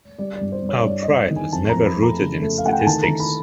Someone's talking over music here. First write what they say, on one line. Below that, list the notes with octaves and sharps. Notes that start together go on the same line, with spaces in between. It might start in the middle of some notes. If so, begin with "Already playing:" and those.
Our pride was never rooted in statistics.
G3 D5
D5
G2
C5
G2
C#5
C#5
G2 D5
D#5
G2
D#3
G#5
F2 A5
A#5
F2
B5
A3
A#5
C#3
A3
F5
A3 F#5
G5
G#5
D#3 A5
A#5
D#3
B5